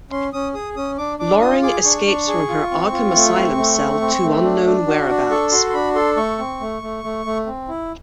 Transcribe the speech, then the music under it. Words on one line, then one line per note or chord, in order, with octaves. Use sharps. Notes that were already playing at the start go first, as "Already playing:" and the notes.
Loring escapes from her Arkham Asylum cell to unknown whereabouts.
C#4 C6
C#4 D#6
G#4 D#6
C#4 D#6
D4 D6
D4 D6
F4 D#6
G#4 D6
D4 C#6
D4
G#4
F4
C4
F4
A3
C4
A3
C4
C4
A3
D4
D4
F#4
D4
A4 C#6
F#4 C6
C6
D4 B5
A4 C6
A3 C#6
C4
A3
A3
A3
A3
C4
E4